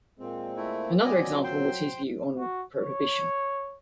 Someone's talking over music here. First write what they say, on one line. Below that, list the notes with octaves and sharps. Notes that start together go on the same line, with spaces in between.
Another example was his view on prohibition.
A#2 G#3 C4
A3 E4
F#3 D5 D#5 G#5
C5 G5 C6
F#4
C#5